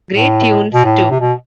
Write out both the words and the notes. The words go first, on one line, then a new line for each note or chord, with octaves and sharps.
Great tunes too.
A2
B2
A2
C3
B2